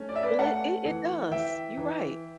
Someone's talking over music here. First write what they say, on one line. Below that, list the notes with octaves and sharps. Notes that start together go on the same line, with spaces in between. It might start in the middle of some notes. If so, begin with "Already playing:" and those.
Well, it it does, you're right.
Already playing: A3 C#4
D5
E5
B4 D5
A3 F#5 A5
E3
E3 E5 G5
E3